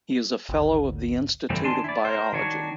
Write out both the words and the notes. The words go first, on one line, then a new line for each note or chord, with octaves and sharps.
He is a Fellow of the Institute of Biology.
G#1 D2
E3 G3 A3 C4
D#3 D4 G#5 A5 C6
E4 D5
A#4 C5
D#3 D4 F#4 C#5